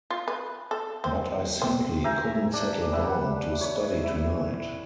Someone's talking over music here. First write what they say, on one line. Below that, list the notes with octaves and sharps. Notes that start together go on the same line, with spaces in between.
But I simply couldn’t settle down to study tonight.
F4
B4
A4
C4
C4
E5 G5 G#5 A#5
D4
G3 B4 E5 F#5
C#5 B5
E4